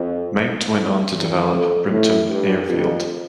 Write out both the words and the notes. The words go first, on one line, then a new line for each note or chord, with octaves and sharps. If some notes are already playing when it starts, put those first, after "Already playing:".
Mount went on to develop Brimpton Airfield.
Already playing: F2
E2
E2
F2
A2
G2
F2